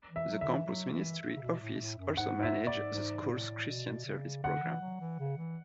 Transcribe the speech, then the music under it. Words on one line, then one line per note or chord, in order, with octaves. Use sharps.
The Campus Ministry office also manages the school's Christian Service program.
E3
E5
F#3
D3 E5
E3
F#3
E3
C#3
B2
A2
B2
A2
F#2
G#2 F#5
G#2
E5
D5
G#2
G#2
G#2
A2
B2
C#3
D3 F#5
E3
F#3
E3
C#3
E3